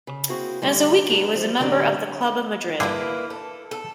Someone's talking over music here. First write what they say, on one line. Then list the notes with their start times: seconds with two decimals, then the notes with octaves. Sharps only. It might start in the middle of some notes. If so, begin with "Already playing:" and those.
Mazowiecki was a member of the Club of Madrid.
0.07 C#3
0.29 A#3 C4 E4 F#4 G#4
0.62 D3 G3 A3
1.09 G2 F#3
1.35 F3 G3
1.59 A2 D3 F#3 G4 D5 D#5
2.80 G2 D3 A#3 E4 G#4 B4
3.30 A4
3.71 A4